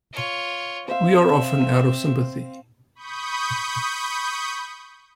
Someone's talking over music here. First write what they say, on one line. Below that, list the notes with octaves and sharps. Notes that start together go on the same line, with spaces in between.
We are often out of sympathy.
F4 C#5
C4 C5 E5 F5
B5 C#6 D#6 G6